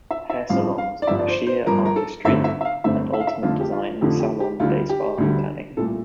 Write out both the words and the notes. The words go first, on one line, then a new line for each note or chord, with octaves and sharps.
Hair salons are Shear Artistry and Ultimate Design Salon Day Spa and Tanning.
E5
E5
A1 G2 F3 C4 F5
F5
D5
G1 G2 F3 E5
D5
C5
C5
G1 G2 F3 A#4
A#4
A4
G1 G2 D3 A3 C4 E5
E5
E5
F5
G1 G2 D3 A3 C4 E5
E5
F5
E5
F2 D3 F3 A3 F4
G4
F4
F2 D3 F3 A3 G4
G4
G4
D2 D3 G3 F4
G4
D2 D3 G3
C2 A#2 A3 A4